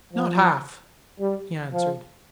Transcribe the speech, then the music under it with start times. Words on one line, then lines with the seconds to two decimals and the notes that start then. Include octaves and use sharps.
"Not half!" he answered.
0.13 F3
1.19 G3
1.72 F3